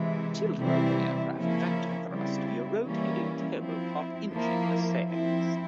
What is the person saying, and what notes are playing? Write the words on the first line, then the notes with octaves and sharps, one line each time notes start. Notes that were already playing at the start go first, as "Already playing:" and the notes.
Tiltrotor aircraft vector thrust via rotating turboprop engine nacelles.
Already playing: C3 E3 G#3 E4
C3 E3 G3 C4 E4
C#3 F3 A#3 C#4 E4
C#3 G3 C4 E4
E3 G3 A#3 C#4 E4
F3 C4 E4
F3 A#3 E4
F3 C4 E4